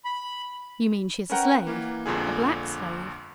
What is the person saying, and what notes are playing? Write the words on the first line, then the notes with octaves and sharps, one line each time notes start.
"You mean she is a slave--a black slave?"
B5
C#4 A#4 B4 F#5 G5 A#5
E3 A#3
G1 F2 A#2 D3 G#4